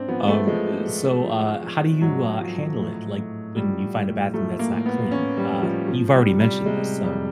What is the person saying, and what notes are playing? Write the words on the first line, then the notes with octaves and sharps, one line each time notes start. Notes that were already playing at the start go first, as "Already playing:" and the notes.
Um, eh, so, uh, how do you, uh, handle it? Like when you find a bathroom that's not clean, uh, you've already mentioned this, so
Already playing: G#2 C4 D4
F3 B3
A3
F3 G#3
F3
F3
F3
G#2 F#3
F3
A2
A2
F3 G3
A2
F3 A3
A#3
A2
B3
A2 C#4
G3
A2
F3
F3
G3
C3
G3
C3 G#3
F2 G3